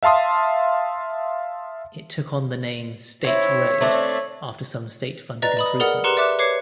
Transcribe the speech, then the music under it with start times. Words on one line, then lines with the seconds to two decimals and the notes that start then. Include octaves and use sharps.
It took on the name State Road after some state-funded improvements.
0.03 E5 F5 A5 C6 D#6
3.24 C4 E4 C#5 E5
3.81 A3 C4 D4
5.42 B4 D5 D#5 A#5 A6
5.57 D#5 B5 D#6
5.80 G#4 A#4 D5 F#5 D#6
6.04 G4 B4 A#5 C6 C#7 E7
6.17 D5 E5 D6 F#6
6.39 B4 C#5 D6 G#6 C7 C#7